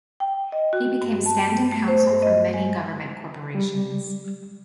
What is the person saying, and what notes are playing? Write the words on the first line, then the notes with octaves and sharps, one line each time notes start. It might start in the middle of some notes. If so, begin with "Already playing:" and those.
He became standing counsel for many Government Corporations.
G5
D#5
F#4
G2
A5
B3
A3
C5
G2
D#5
G#3
G3